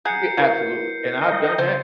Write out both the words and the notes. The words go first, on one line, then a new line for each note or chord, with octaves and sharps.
Y a absolutely. And I've done that,
G#4 F#5 A#5 G6 C7 C#7
F#3 E4 A#4 B4
D#5 G5 A#5
C#3 C4 C5